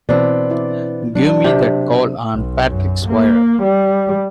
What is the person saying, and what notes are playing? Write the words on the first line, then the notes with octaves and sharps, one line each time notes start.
Give me that call on Patrick's wire!
B2 E3 B3 C4 D4
E4 D5
F#3 D4
C3 G4
B1
F#2
A#3
G3